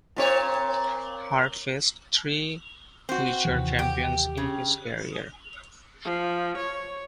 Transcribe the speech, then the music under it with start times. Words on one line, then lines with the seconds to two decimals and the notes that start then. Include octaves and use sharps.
Hart faced three future champions in his career.
0.16 A#2 C4 C#5
3.09 C4 F#4
3.45 D#2 C3 E3
3.79 G4
4.37 C#3
6.04 F3
6.57 C#5